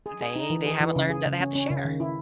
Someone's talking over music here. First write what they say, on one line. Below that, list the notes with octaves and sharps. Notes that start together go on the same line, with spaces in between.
they they haven't learned that they have to share!
G#4
G#4
D#4
E3
G#4
E3
C#3
G#4
C#3
C#4
C#4
C#3
D#3
E4